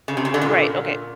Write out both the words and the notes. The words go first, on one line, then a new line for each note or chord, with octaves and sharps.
Right, okay.
C#3
C3
C#3
D3
A#2